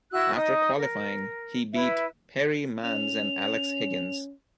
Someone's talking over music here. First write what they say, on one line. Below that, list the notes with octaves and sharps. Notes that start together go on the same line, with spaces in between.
After qualifying he beat Perrie Mans and Alex Higgins.
E4 F#4 E6 F#6
D#4 D#5 D#6
A#4
E4 B4 E5
C#4 F7